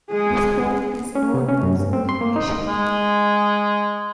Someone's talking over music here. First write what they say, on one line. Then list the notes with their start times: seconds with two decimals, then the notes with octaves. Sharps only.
This point is known as "ignition".
0.11 G#3 G#4
1.15 C#4
1.34 C3
1.48 C#4
1.63 F#2
1.79 G2
1.93 C4
2.09 C6
2.21 A#3
2.36 D#4
2.68 G#3